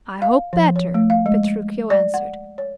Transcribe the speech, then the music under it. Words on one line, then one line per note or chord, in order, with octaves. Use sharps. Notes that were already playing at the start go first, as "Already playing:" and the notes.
"I hope, better," Petruchio answered.
F5
F3
C#5
A3
F5
G#3
D5
F#5
C#5